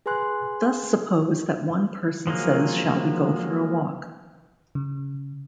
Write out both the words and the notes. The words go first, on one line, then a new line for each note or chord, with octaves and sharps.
Thus suppose that one person says Shall we go for a walk?
G#4 B4 G#5 C6 F#6
F3 F#3 G#3 A#3
C#3